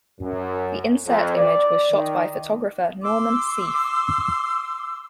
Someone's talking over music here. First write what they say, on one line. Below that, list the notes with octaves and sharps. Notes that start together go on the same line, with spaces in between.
The insert image was shot by photographer Norman Seeff.
F#2
F2
D5
D#3
C6 D6 E6